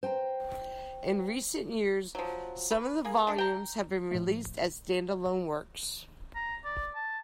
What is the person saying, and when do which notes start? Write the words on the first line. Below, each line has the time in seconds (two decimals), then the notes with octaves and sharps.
In recent years some of the volumes have been released as stand-alone works.
0.03 C5 G5 G#5 A#5
2.15 F3 F#3
2.71 B4
3.05 A#3 G#4
3.27 A3 D4
3.38 G5 A#5
4.11 A2 F3 A3
6.35 A#5
6.64 D5
6.95 A5